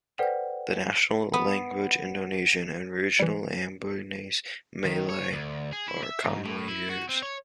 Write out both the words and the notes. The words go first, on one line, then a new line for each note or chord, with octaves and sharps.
The national language Indonesian and regional Ambonese Malay are commonly used.
A4 B4 C5 D5 F#5 G5
B3
E3 G3
D#3
C#5
D2
G#4
E4
E5
G#2
A2
E4
F#4
C4
C#5